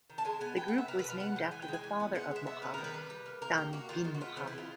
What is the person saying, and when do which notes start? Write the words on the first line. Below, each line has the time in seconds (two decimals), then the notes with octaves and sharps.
The group was named after the father of Mohammad, Thani bin Mohammad.
0.10 D#3
0.18 A5
0.25 G#3 G#5
0.40 B3 G#5
0.57 B3 G5
0.68 F#5
0.73 B3 E5
0.88 B3 A#4
0.99 B4
1.04 B2
1.10 F5
1.20 B2 F#5
1.36 G#3 G5
1.51 E3 G#5
1.62 G5
1.68 G#3 G#5
1.84 E3
2.00 B3
2.15 G#3 F#5
2.31 G#3 E5
2.47 B3 E5
2.62 B3 B4
2.74 D#3 A#4
2.84 B4
2.94 G3
3.10 G3
3.26 A#3
3.42 A#3 A#4
3.57 A#3 G4
3.73 A#3 F#4
3.89 D#3 F4
4.04 G#3 F#4
4.14 F#4
4.21 B3 F4
4.36 E3 C4
4.47 E4
4.53 G#3 F4